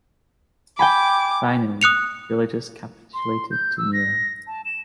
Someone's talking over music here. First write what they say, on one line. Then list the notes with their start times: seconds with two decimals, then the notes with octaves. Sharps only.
Finally, Villegas capitulated in Neira.
0.79 G5 G#5 B5 D6
1.81 D#6 F#6 C#7 F7
3.14 C6
3.51 G6
3.78 E6
3.93 A#6
4.47 A5
4.65 E7